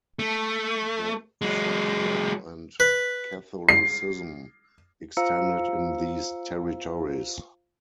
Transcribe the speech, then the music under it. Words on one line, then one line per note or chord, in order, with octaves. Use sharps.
The serfdom and Catholicism extended in these territories.
A3
F#3 G#3
B4
C7
F4 C5 F5 A#5 E6 C#7